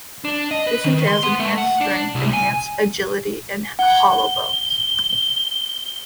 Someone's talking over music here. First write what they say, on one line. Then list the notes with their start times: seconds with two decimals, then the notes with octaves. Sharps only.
This entails enhanced strength, enhanced agility, and hollow bones.
0.25 D4
0.51 D#5
0.67 B4
0.84 D#3
1.07 C6
1.23 B3
1.40 A3
1.58 F#5
1.81 D4
2.15 C2
2.33 G#5
3.79 F#5 F#6 G7